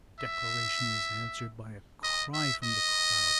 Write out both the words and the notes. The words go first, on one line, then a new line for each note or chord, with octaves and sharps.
The declaration is answered by a cry from the crowd.
E5
D#5
E5
D#5